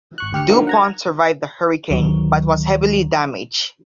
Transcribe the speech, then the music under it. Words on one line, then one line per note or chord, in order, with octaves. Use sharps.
"Du Pont" survived the hurricane, but was heavily damaged.
G#1 C#6 F#6
D2 G4 F6 C#7
D3 F3 F#3 A#3 D#4 A#4
F#5 A#5 G#6
D2 D#3 F#3